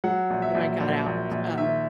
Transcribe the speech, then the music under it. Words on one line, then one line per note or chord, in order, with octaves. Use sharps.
Then I got out, uh,
F#3 F#5
A#1
E5
A#1
A#1
A#1
A#1
D#3 E5